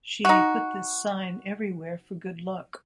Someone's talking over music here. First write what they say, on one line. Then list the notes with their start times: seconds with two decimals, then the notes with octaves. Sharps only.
She put this sign everywhere for good luck.
0.25 D#4 F#4